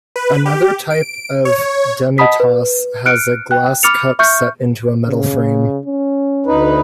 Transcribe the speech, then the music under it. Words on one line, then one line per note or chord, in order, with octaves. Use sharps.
Another type of demitasse has a glass cup set into a metal frame.
B4
G4
D7
C#5
D#5 F#5 A5 B5 D#6 B6
B4
F6 F#6 C#7 D7
G5 F#6
B5 D6 F6 A6 C#7 F7
E5 C#6 F6 G6 C#7
C#3
C#4
D2 D#4 B4